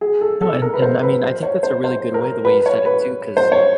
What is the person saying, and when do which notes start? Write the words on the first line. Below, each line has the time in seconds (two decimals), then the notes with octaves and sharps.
No, and and, I mean, I think that's a really good way the way you said it too, 'cause
0.01 G#4
0.21 A4
0.42 A4
0.62 A#4
0.74 B4
0.82 C5
1.03 B4
1.23 C5
1.43 C#5
1.63 C5
1.84 C5
2.14 A#4
2.45 B4
2.66 C#5
2.86 B4
3.37 C5
3.52 C#5